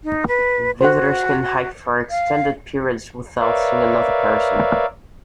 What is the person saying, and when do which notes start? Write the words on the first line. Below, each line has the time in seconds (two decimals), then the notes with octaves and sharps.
Visitors can hike for extended periods without seeing another person.
0.04 D#4
0.28 B4
0.81 F#4 C5 F#5
2.10 F5
3.38 A#4 B4 C#5 D5 E5 F5